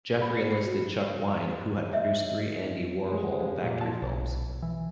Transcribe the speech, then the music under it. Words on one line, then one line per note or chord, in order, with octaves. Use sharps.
Jeffery enlisted Chuck Wein, who had produced three Andy Warhol Factory films.
B5
C#7
C7
F#4
C#5 D#5 E5
G3 G#3
F2
A#2
E4 A5
B1
E3